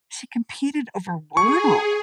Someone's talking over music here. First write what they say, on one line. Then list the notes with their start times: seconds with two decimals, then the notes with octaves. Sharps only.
she competed over Wordle,
1.37 G#4 C#6